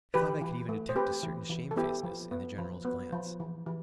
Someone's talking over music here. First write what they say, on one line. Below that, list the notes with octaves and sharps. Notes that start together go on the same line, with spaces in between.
I thought I could even detect a certain shamefacedness in the General's glance.
E3 G4 B4
E3
A3
C5
C4 G4 B4
E3
E3
A4
B3 E4 G4
F3
B3
F3
B3
F3
E3
E3